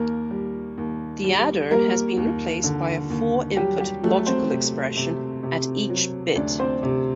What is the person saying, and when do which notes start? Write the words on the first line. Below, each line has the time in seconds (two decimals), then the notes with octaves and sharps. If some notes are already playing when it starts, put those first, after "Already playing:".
The adder has been replaced by a four input logical expression at each bit.
Already playing: D#2 A#3 A#4
0.30 G3
0.78 D#2
1.24 G3
1.71 G3 A#3 A#4
2.17 D#2
2.64 D3
3.10 D#2
3.57 F#3 G3 G4
3.80 G3 G4
4.04 F#3 A3 A4
4.26 C4 C5
4.50 C3
4.97 C3
5.43 C3
5.90 F#3
6.36 D2 D4 D5
6.59 C4 C5
6.83 C3